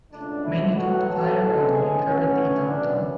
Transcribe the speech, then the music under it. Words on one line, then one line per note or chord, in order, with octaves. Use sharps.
Many took to higher ground in current-day Downtown.
C#2 B2 A3 D4
E4
A2 F#3 B3 F#4
A4
A2 G#3 B3
G#4
A2 F#3 B3 C#4
F#2 E3 B3 D4